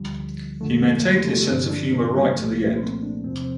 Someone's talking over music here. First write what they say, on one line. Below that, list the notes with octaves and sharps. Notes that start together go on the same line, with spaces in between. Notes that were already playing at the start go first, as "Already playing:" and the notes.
He maintained his sense of humour right to the end.
Already playing: D2 D3 F3 G3
F2 D3 F3 A3
A#3
G3
A3
G2 D3 F3 D4
D4
A#3
G3
C2 A#2 F3 A3
A#3
C4
D4
E2 C3 F3 C4
C4